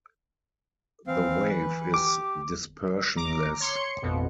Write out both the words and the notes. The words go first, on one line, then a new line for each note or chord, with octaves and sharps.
The wave is dispersionless.
E3 C4 F5
B4
G4 D6
A#5 D6
C#5 C6 C#7
A1 F2 B2